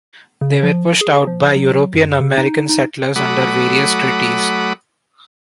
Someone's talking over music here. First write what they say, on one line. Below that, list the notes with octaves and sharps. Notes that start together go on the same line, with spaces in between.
They were pushed out by European-American settlers under various treaties.
C#3
F3
G#4
F3
F#3
F#2
C#3
D#4
D#4
F#3 A3 F#5 B5 D6 D#6